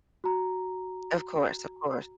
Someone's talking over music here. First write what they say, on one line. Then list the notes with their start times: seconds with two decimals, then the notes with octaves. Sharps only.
Of course, of course.
0.24 F#4 A#5